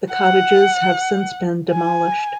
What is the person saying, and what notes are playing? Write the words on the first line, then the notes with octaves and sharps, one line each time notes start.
The cottages have since been demolished.
F#5
G#5